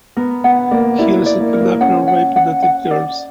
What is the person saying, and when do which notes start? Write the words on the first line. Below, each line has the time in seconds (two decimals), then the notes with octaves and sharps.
He also kidnapped and raped native girls.
0.16 B3 A#4
0.44 B3 F#5
0.71 A#3 D5
0.98 E4 D5
1.26 D5
1.40 A#3
1.53 A#4
1.61 A#3
1.81 C#4 F#5
2.08 F#5
2.36 F#5
2.63 F#5
2.91 D5